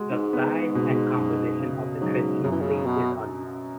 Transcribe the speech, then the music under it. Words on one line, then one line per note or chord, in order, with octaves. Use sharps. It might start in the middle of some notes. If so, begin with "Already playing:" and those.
The size and composition of the Christian fleet is unknown.
Already playing: G#3 F#4
G#2
B3
B2
F#2
C#3
G#2 F#3
F#2 C#3
E3
C#3
B2